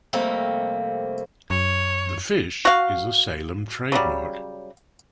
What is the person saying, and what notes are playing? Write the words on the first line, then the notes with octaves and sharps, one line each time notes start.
The Fish is a Salem trademark.
F2 C3 G3 A3 A#3 C4
F#2 C#5
F#4 F5
C#3 F#3 G3